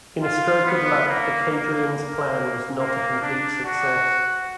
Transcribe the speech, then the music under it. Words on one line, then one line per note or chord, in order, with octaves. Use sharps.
In a stroke of luck, the Kadrians' plan was not a complete success.
F4
B3
A#3
A#3
A#3
A#3
D4
F#4